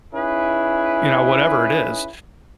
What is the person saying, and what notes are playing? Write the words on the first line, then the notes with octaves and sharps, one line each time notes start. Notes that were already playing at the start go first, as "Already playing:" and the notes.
you know, whatever it is.
C#4 D#4 E4 G#4 B4